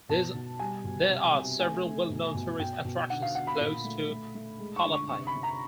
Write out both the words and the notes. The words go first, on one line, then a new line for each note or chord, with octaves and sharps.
There are several well-known tourist attractions close to Palapye.
B2 A5
B2
G3 G#5
B2
C3
C3
A3 G#5
A3
B2
B2
B2 G5
B2
D3 F#5
F5
D3 F#5
B5
A#2
A3
A3
A3
G#3
C#6
D3
C#6
C3 C#6
B5
C3
A#5